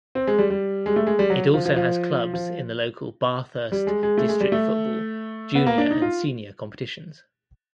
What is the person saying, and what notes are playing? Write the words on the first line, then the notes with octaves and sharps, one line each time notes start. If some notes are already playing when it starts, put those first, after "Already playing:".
It also has clubs in the local Bathurst District Football junior and senior competitions.
C4
G#3
G3
G3
G#3
A3
G#3
G3
F#3
F3
F3
F3
F3
G3
G#3
G#3
A3
G#3
G3
A3
B3
A#3
D4
D#4
F4